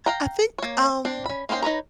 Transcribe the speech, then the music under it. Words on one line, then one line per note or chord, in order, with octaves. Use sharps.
I think um,
F5 G5 A#5
A#3 C#5
C4 D4
C#4 B5
A#3 C#4 D#4 C5 G5
D#4 B4 C#5 A#5